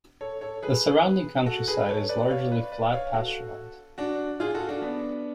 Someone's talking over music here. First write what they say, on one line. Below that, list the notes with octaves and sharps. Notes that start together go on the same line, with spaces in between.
The surrounding countryside is largely flat pastureland.
A4 C#5
A4 C#5
G#4 B4
F#4 A4
G#4 B4
A4 C#5
B4 D5
C#5 F5
B4 D5
B4 D5
C#5 F5
F#4 A4
D4 F#4
F4 G#4
F#4 A4
D4 F#4
B3 D4